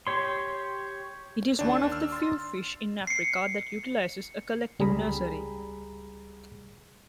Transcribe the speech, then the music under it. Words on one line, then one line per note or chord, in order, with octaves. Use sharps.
It is one of the few fish in Africa that utilizes a collective nursery.
G4 C#5 C6
D#2 D4
E6 F6
C6 A6
C7 C#7
C#2 G3 G#4 A#5 B5